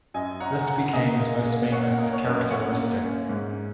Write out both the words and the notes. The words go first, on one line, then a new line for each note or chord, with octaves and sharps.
This became his most famous characteristic.
F#2 D#5 G#5
C#4 F#5 A#5
C#3 F#5 A#5
A#5
A#3 D#5 G#5
A#3
A#3
A#3 C#5 F#5
A#3 A#4 D#5
C#5
F#2 A#4
C#4 C#5 F#5
A#3
C#4
G#2